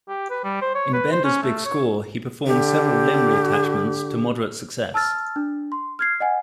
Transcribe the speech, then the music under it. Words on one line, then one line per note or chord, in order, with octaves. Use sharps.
In "Bender's Big Score", he performs several limb reattachments to moderate success.
G4
B4
G3
C5
C#5
B4
C5
C#4
A3
C#5
D3 G4
A5 E6 F6 A6
D4
C6
F6 G#6 C7
D#5 F#5 G#5